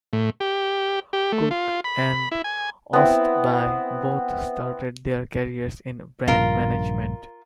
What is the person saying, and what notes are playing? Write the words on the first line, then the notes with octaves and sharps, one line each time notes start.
Cook and Ostby both started their careers in brand management.
A2
G4
G4
A3
F4
B5
E4
G#5
B3 C4 E4
A#1 G2 C#3 F4 A#4